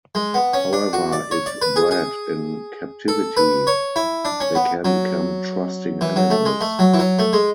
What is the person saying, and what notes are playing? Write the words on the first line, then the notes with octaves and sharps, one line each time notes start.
However, if bred in captivity, they can become trusting animals.
G#3
B3
C#4
D4
F#4
D5
C#5
D5
B4
G#4
G#4
A4
B4
C#5
E4
D4
C#4
B3
F#3
E3
F#3
A3
G#3
A3
F#3
E3
F#3
A3
G#3